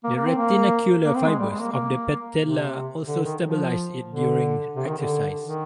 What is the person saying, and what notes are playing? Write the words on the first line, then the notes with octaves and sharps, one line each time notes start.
The retinacular fibres of the patella also stabilize it during exercise.
A#3
A#3
C4
A#3
A#3
C4
G#3
G3
G#3
A#3
A#3
C3
D3
D#3
F3
D3
C3
D#3
D3
D#3